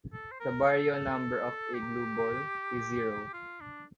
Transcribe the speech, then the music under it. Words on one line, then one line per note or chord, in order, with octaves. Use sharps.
The baryon number of a glueball is zero.
A4
C5
A#4
A4
A4
G4
F4
D4